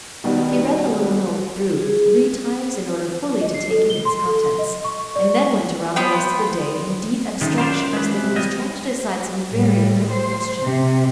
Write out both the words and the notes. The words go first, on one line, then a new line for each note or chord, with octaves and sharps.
He read the little note through three times in order fully to take in its contents, and then went around the rest of the day in deep abstraction as though he was trying to decide some very important question.
B2 D#3 G3 B3
G#4
D#5
C7
A4
G7
C6
A4
D#5
C#6
D5
B3 C5 G5
F#2 D#3 G#3 A3
D4 F4 C5
G#3 B4
C3
G3 F4 D#5
A2 G3
C5
C3